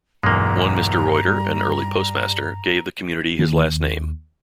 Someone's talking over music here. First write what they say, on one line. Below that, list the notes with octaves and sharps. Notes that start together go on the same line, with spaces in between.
One Mr. Reuter, an early postmaster, gave the community his last name.
B1 E2 G2 G#3 A#3 A#5
G3
D#2